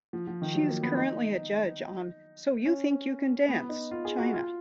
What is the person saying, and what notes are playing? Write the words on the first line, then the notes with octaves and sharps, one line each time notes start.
She is currently a judge on So You Think You Can Dance China.
F3
F3
D#3
F#3
A#3
B3
D#4
C#4
B3
D#4
F4
G#4
F#4
F4